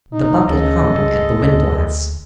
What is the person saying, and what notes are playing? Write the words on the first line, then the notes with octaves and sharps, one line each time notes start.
The bucket hung at the windlass.
D#4
D2 C#3 A4 D#5
C#2 G#3
D2